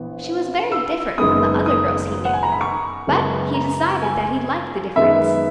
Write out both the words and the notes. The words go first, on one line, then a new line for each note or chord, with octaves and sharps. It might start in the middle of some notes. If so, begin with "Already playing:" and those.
She was very different from the other girls he knew, but he decided that he liked the difference.
Already playing: A#1 E3 B3
E6
F#1 F#2 D#3 G#3 B3 D#6
D#6
F#5
G#5
A#5
B5
C#6
F#2 C#3 G#3 B3
A#5
G#5
F#2 D#3 G#3 B3 E5